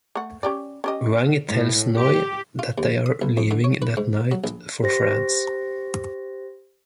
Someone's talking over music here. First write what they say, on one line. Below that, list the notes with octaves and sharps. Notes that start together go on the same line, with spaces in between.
Vang tells Noi that they are leaving that night for France.
A3 F#5
C#4 G4 D5
C#4 G4 D#5
A2
G4
F4
D#2
D#6
B1
F2
D3
C#5
B4
G#2
F#3
A#1
G4 C5 A#6